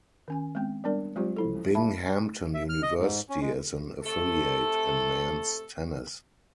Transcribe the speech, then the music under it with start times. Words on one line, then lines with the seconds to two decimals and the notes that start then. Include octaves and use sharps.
Binghamton University is an affiliate in men's tennis.
0.28 D#3 C#4 G#5
0.55 G#3 B3 C4 G5
0.84 G3 B3 D4 A#4 D5
1.16 F#3 G#3 C4 F4 G4 C5
1.36 F3 E4 A4
1.75 E5 A5 B5
2.54 E5
2.69 F6
2.83 D#5
2.99 G#2
3.29 C#4
3.41 G#3
4.03 C3 A3 A4